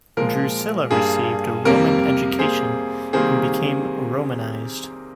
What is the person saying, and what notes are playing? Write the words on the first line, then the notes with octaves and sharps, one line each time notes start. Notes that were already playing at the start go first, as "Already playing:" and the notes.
Drusilla received a Roman education and became Romanized.
A#2 F3 G#3 A#4
G2 G3 A#3 G#4
F2 C3 G3 A#3 A#4
C3 G3 A#3 G#4 C5
C3 D#3 G3 A#3 G#4 C5